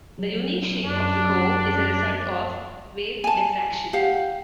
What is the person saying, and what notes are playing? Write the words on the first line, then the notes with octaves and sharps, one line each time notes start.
The unique shape of the cove is a result of wave diffraction.
F#3
F#2 D4
G#5 A5
G4 F5 F#5